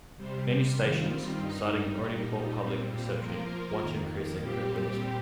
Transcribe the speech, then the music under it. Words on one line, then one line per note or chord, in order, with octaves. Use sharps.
Many stations, citing an already poor public perception, want to increase their credibility.
C3 G3 C4
D#3 G3 C4 F4
G2 G3 D#4
A#2 G3 D#4
A#2 G3 C4
F3 A#3 F4 A#4
F2 D#3 A#3
A#2 G3 C4 G4